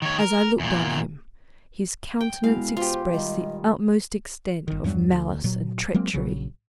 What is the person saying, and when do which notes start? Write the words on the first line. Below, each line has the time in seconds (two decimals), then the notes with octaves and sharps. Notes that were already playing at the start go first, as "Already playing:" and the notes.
As I looked on him, his countenance expressed the utmost extent of malice and treachery.
0.02 D#3 C#5
0.19 A#4
0.60 E2 A#2
2.21 G5
2.44 B2 G#3 E4 F5
2.77 F4 G4 C5
3.13 D#3 G3 D#5
4.68 G1 D#3
4.84 E2 G2 F#3 G3
5.11 D2
5.44 A#2 F#3
5.94 F#3 G#3 A#3 C4
6.13 A#1 C#3 F#3